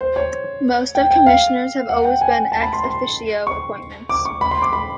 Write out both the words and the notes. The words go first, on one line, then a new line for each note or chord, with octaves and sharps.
Most of the Commissioners have always been "ex officio" appointments.
C5
C#5
G5
G5
F5
F#5
G5
G#5
A5
B5
C6
C6
C#6
D6
C#6
B5
C6
D6
B5